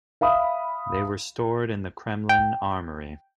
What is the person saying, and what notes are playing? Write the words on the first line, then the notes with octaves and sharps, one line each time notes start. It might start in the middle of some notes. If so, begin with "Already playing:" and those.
They were stored in the Kremlin Armoury.
E5 F5 B5 D#6
G5